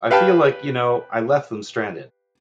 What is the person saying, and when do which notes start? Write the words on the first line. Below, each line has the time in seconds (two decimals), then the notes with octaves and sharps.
I feel like, you know, I left them stranded.
0.10 G4 B4 F5 G5 A5